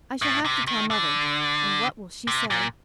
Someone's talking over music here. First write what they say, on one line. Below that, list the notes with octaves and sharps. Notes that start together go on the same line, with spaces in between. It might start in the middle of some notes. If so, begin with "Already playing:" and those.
I shall have to tell mother, and what will she say?
A2
C3
D#3
D3
C3
A#2